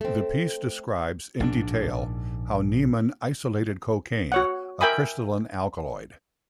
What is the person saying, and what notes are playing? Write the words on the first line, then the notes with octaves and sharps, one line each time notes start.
The piece describes, in detail, how Niemann isolated cocaine, a crystalline alkaloid.
A3 C4
A#1 G#2 D4
F#4 C#5 F#5
A#4 E5 G5 G#5 B5 D#6